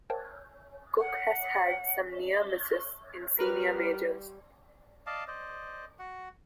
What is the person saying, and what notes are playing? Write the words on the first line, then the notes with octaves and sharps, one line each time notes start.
Cook has had some near-misses in senior majors.
A#4 C5 C#5 F5 G5 A5
F#5
G3 A#4 B4 F6
D5 D#5 F5 A5
C5 D5 D#5
F#4 F#5